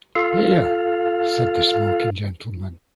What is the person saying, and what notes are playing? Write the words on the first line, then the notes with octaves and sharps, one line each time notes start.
'Hear!’ said the smoking gentleman.
F4 A4 F5